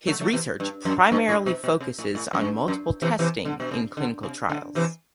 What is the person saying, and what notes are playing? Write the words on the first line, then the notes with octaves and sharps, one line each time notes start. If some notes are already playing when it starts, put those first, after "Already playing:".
His research primarily focuses on multiple testing in clinical trials.
F#3 A3
F#3 A3
C3 E3
G2
F#2
G2
A2
B2
B2
C3
A2
A2
F#2
G2
F#2
C3 E3
C3 E3
D3
B2
C3
D3
C3
D3
C3 E3